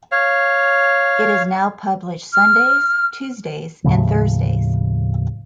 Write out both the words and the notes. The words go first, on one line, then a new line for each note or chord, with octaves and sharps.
It is now published Sundays, Tuesdays and Thursdays.
C#5 F5
F6
D#2 A2 C#3 F3